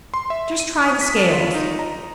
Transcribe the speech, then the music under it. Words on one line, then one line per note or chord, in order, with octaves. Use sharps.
Just try the scales.
C6
E5
D#7
D#6
B6
A4
F4
D#4
A#5